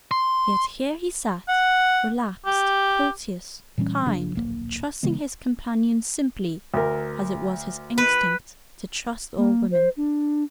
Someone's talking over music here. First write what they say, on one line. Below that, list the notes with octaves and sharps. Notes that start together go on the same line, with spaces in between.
Yet here he sat, relaxed, courteous, kind, trusting his companions simply, as it was his instinct to trust all women.
C6
F#5
G4
A#2 E3 G3 C#4
F#1 C#3 F3 D4
D1 A#1 A#3
C#3 E3 G#3 B3
D2 A#4
B4
A#3
C5
D4